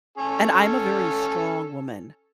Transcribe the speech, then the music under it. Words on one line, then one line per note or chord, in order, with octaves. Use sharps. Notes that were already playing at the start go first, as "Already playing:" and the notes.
And I'm a very strong woman
C#4 A4